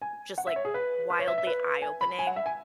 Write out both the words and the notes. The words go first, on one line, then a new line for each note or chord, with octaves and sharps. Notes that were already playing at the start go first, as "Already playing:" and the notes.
just, like, wildly eye-opening,
G#5
F#5
E5
C#5
G#4
B4
B4
C#5
E5
E5
B4
G#5
B5
G#5
F#5
E5
G#5